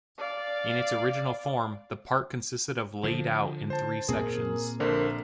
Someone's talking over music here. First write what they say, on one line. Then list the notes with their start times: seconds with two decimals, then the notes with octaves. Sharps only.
In its original form, the park consisted of laid out in three sections.
0.18 D5 F5
3.04 D3 F3
3.70 C5 A5
4.08 A#2 C4 G#4 A#4
4.80 A#1 D3 A#4 C5